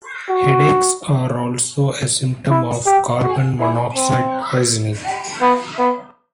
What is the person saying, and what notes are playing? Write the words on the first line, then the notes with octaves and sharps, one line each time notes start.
Headaches are also a symptom of carbon monoxide poisoning.
F#4
E4
G4
F#4
E4
C4
B3
B3